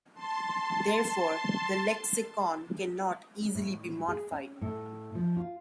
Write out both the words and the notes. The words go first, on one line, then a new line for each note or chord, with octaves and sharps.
Therefore, the lexicon cannot easily be modified.
A5 C6
A2
G#4
C#4
A2
F3
F4